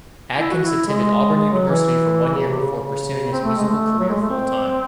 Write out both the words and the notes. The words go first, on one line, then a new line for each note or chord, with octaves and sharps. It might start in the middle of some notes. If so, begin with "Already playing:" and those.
Adkins attended Auburn University for one year before pursuing his musical career full time.
E4
F#4
E4
G#3
G#3
F#3
E3
C#3
C3
C#3
C#3
C4
A3
G#3
A3
F#3
G#3
A3
C4